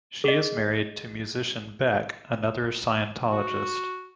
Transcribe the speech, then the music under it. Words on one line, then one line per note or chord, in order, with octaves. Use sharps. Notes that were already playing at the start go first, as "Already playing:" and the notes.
She is married to musician Beck, another Scientologist.
G#4 D#5
F#4